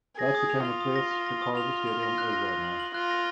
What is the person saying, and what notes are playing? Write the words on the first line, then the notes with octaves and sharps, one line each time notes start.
That's the kind of place Chicago Stadium is right now!
G#4 A#6
D#6
F7
F4 F7
D#6
A#6
A#6
A#6
D#6
F4 F7
F7
F7
A#6
F#6
A#6
A#6
F#7
F#7
F4 F#6
A#6